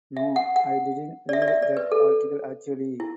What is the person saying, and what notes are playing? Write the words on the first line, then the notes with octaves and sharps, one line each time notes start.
No, I didn't read that article actually.
E5
F#5
F#5
D5
E5
D5
E5
D5
B4
A4
E4